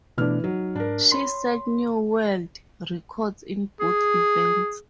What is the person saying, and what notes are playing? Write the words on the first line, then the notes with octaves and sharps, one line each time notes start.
She set new world records in both events.
B2 E3 A3 D4 F6
F#3 D#4
G#2 D4 A#4
C#5 B5 C6
G#4